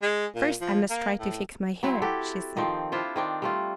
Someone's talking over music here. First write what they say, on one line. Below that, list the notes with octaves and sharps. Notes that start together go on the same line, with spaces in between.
"First I must try to fix my hair," she said.
G#3
A#2
F3
A#3
A2
F#3 C4 E4 F#4
E4 F#4 G4 A4
D#3 F3 C4
D4 E4 F4 C5
D#3 C4 D4
G3 A3 F4